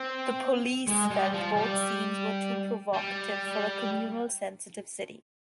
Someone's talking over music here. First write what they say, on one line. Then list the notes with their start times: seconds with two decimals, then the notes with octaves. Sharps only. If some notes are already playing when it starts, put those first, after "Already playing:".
The police felt both scenes were too "provocative" for a "communally sensitive" city.
Already playing: C4
0.88 G#3
1.11 G3
1.33 F3
1.56 G3
2.93 G3